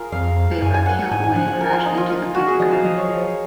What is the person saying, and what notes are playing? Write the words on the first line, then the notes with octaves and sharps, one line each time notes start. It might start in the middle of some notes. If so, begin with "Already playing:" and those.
They were killed when it crashed into the Pentagon.
Already playing: F4 G#4 A#4
F2 F5
F#2 G#5
G#5
F#5
F#5
G#2 G#5
G#5
F3 F#5
F#5
A#4
F4
D#4
F4
F4
F4
F#4
G#4
F3 D#5
F5
F3 D#5
C#5
F3